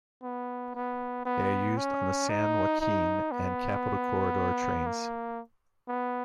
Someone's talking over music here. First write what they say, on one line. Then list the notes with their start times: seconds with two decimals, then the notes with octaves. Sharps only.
They are used on the "San Joaquin" and "Capital Corridor" trains.
0.22 B3
0.75 B3
1.25 B3
1.77 C#4
2.29 D#4
2.81 D#4
3.32 B3
4.86 A#3
5.89 B3